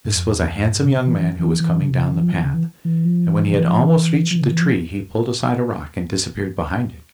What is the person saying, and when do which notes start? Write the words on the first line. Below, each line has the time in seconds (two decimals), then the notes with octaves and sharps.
This was a handsome young man who was coming down the path; and when he had almost reached the tree he pulled aside a rock and disappeared behind it.
0.05 G2
0.15 F2
0.35 E2
0.57 F2
0.70 G2
0.84 C3
0.98 C3
1.07 E3
1.19 E3
1.39 E3
1.60 E3
1.80 C#3
1.91 C3
2.01 C#3
2.12 E3
2.22 F3
2.32 E3
2.43 C#3
2.54 E3
2.85 E3
3.05 F3
3.26 E3
3.46 E3
3.53 C#3
3.57 E3
3.67 F3
3.79 E3
4.31 F3
4.35 E3
4.41 C#3
4.51 E3
4.61 F3